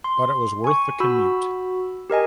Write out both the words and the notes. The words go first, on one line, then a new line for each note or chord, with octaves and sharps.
But it was worth the commute.
C6
G#5 C#6
F#4 B5 E6
G4 A#4 D#5 G#5